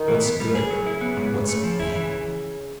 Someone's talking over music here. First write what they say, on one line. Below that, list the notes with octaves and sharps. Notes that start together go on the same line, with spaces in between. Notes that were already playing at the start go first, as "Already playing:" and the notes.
What's good, what's bad?
Already playing: D#3
E3
B3
G3
C#3 G#4
F#3
E4
B3
G#2
G#2
A3
F3
E4
E3